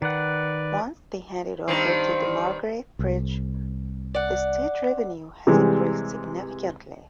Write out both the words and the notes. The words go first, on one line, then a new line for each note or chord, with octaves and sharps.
Once they handed over to the Margaret Bridge, the state revenue has increased significantly.
D#3 B4 D5 F#5
G2 D#3 C4
C2
D5 F#5
C3 E3 G3 G#3